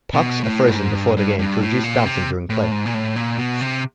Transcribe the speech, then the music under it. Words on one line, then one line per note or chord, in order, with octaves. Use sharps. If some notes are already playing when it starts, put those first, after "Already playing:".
Pucks are frozen before the game to reduce bouncing during play.
B2
A2
G2
G#2
G2
G2
G2
A2
A#2
C3
A2
G#2
A#2
A2
A#2
B2
C3